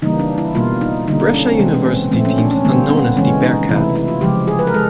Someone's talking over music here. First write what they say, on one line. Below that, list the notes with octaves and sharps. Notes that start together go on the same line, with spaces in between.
Brescia University teams are known as the Bearcats.
C#3 E3 G3 A#3 D#4
D4
E4
B2 G3 A#3 F4
D#4
D3 G3 A#3 D#4
D4
C#4
C4
C3 E3 G#3 B3
C#4
C4
A#2 F3 A3 C4
C#4
D4
C#4
D3 G3 A#3 C4
B3
C#3 E3 G#3 C#4
D#4
C3 E3 A3 E4
E4
F4
C#3 F3 G#3 G4
G#4
B4
A#4
G#3 A4